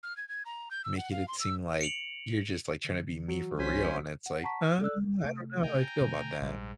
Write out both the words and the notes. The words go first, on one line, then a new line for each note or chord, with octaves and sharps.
making it seem like you're just, like, trying to be me for real. And it's like, Uh, I don't know how I feel about that.
F6
G#6
G#6
A#5
G6
E6
F#5
F5
C6
E6
C#7 D7 F7 F#7
D3
E3 F#3
C2 C#4 C5 G#5 B6
F#5
F#5 A5 A#5 C#6 B6
F6
A4 D5 E6 F#6
C3 A3
G5 G#5 A#5
B2 D3 A3
A#1 G#2 G3